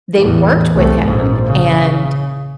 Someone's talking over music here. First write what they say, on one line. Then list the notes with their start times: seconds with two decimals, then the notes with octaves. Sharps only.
they worked with him, and,
0.20 E2 A2
0.75 C2 A3
1.04 A#1 G#2
1.46 C#3